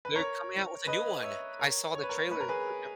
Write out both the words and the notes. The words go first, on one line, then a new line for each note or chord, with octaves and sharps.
They're coming out with a new one. I saw the trailer for number
B4
A#4 C#5
B4 D#5
C#5 E5
A#4 C#5
C#5
B4
A#4 C#5
B4
A#4
G#4 B4